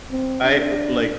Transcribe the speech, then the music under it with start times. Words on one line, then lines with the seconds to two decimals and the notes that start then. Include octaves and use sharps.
I, uh, like,
0.11 C4
0.44 D4